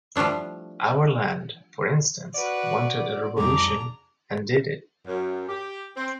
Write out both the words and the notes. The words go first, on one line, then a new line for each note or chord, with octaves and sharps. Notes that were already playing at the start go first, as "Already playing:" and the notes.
Our land, for instance, wanted a revolution and did t.
F3 G3 A3 D4 E4
F#4 B4 D5
C2 F2 D4 G#4 A#5 D6
F#2
G4
C4